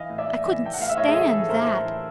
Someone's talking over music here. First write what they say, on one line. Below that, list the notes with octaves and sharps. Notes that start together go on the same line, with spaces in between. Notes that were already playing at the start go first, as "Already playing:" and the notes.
I couldn't stand that.
Already playing: E3 D#5 F5
A2
D5 E5
A2
E3
E3 G5
F#5
A2 F5
E5
A2 C#5 D#5
G#4
E3 A4
E3 A4
A2 A#4 C5
A2
E3